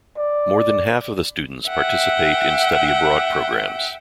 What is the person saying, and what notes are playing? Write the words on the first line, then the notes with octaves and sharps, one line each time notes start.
More than half of the students participate in study abroad programs.
D5
E5 F#5 G5